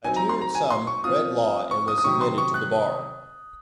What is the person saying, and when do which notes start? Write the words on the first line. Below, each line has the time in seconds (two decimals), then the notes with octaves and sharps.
I tutored some, read law, and was admitted to the bar.
0.04 F#3 C4 D#4 G#5
0.16 A#5
0.29 C6
0.41 A#5
0.55 G#5
0.70 C6
0.87 C#6
1.04 F3 C4 F4 D#6
1.71 C#6
1.88 D#6
1.98 D#6
2.04 C3 D#3 F#3 C#6
2.21 C6
2.38 C#6
2.54 F#6